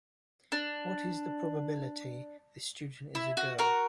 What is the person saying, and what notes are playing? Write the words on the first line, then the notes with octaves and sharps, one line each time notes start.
What is the probability this student is a girl?
D4
E4
F#4
F#4 A#4